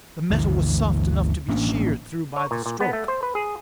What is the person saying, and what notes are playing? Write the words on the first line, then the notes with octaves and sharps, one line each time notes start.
The metal was soft enough to be sheered through by the stroke.
G1 D2 E3
A1 A#3 C#4 D4
C#5
A#2
A#2
B3
A3
C5
B4
G#4